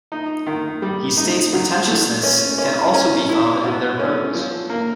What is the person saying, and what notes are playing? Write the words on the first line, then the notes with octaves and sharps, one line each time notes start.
He states pretentiousness can also be found in their prose.
D#4
D#3
G3
D#4
F#3
A3
C#4
C#4
C#4
E4
B2
C#4
F3
A#3